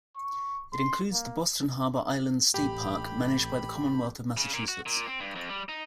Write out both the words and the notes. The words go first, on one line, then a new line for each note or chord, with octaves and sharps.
It includes the Boston Harbor Islands State Park, managed by the Commonwealth of Massachusetts.
C#6
C6
A#3
A1 G4 B5
C#3
A#2
F#4
A#2
C4
G2
F2
G3
D#4